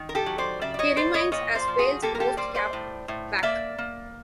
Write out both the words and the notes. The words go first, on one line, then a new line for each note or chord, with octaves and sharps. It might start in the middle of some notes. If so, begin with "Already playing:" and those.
He remains as Wales most capped back.
Already playing: D#3
A#4
G4 A4
F#3
C5 D5
C#3 D5 E5
D5
C#5 D#5
E3 C5 D5
C#5 D#5
A#2 C#5 D#5
C5 D5
F3
F#4 G#4
A#3 G4 A4
A#4
G4 A4
G3 C5 D5
C5 D5
A2
A2
A#3 D5 E5
A#3